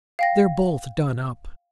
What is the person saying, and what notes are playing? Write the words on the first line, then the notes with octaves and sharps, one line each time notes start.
They're both done up.
F5 G5 A#6